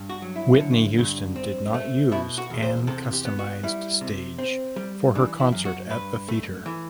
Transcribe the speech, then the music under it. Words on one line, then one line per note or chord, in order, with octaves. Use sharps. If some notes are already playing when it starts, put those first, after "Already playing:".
Whitney Houston did not use an customized stage for her concert at the theater.
Already playing: G2
F#4
F#3
E4
D3
G2
C4
A3
B2 E4
F#4
E2
C5
C3 A4
G4
B3
F#4
G3 E4
C3
C4
G3
E3 D4
E4
F#2
F#4
G2 B4
A3
E3